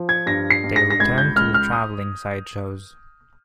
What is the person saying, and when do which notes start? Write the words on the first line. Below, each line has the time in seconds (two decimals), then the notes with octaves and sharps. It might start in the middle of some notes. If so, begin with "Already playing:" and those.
They returned to the travelling sideshows.
Already playing: F3
0.09 G#6
0.26 G2 A#6
0.50 C7
0.64 G2
0.76 A#6
0.90 A#6
1.00 C#2 G#6
1.18 G6
1.36 C#2 F6
1.54 F6
1.73 D#6